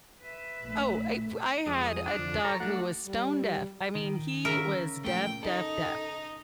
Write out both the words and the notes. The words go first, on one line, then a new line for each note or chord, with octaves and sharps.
Oh, it w I had a dog who was stone deaf. I mean, he was deaf, deaf, deaf;
B4 E5
A#1 A3
F2 G#3 D#6
D4
F2 D3
A4 C#5 A#5
A3 D4 F#4 F#5
G3
D#3
C#3 A#4 E5
A#2 F3 A3 G5
D#4 A4